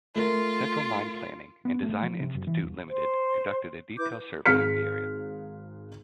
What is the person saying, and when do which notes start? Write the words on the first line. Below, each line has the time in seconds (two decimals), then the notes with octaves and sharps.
Central Mine Planning and Design Institute Limited conducted a detailed survey of the area.
0.16 A3 F4 A#4
1.65 B3
1.83 A3
2.03 F3
2.20 C3
2.35 F#2
2.47 E3
2.61 D#1
2.89 C5
3.98 E4 B4 D6 G6
4.46 G#1 G#4 F5 F6 B6 C#7